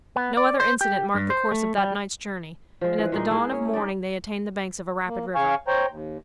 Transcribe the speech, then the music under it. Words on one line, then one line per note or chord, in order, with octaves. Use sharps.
No other incident marked the course of that night's journey, and at the dawn of morning they attained the banks of a rapid river.
B3
D5
C5
G4
G2
C5
A3
G3
F3 G#3
E3 G#3
A#2 G#3 D#4
G#3 E4 G#4 A#4
C#4
G3 D#4 D5
A#3
C#3 F5 G#5 C#6
C5 C#5 G5 A#5
D#2